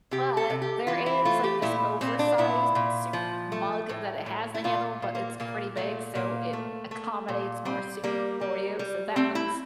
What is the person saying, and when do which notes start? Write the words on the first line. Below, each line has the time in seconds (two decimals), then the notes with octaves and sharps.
But there is, like, this oversized soup mug that it has the handle, but it's pretty big so it accommodates more soup for you. So that one's
0.11 C3 G4
0.37 A4
0.50 C3
0.62 G4
0.87 E3 F4
1.06 E4
1.25 A3 F4
1.44 G4
1.62 A#2 E4
2.01 A#2 C4
2.19 D4
2.38 A#2 E4
2.75 A#2
3.13 F3
3.52 A3
3.89 A2
4.26 A2
4.54 E4
4.64 A#2 F4
5.02 A#2
5.15 A#3
5.40 A#2 A#3
5.77 A#2 A3
6.15 A#2 A#3
6.53 A3
6.91 A3
7.28 A#2
7.65 G3 C4
8.04 G3 A#3
8.41 G3
8.79 G3
9.16 A3 C4
9.35 E4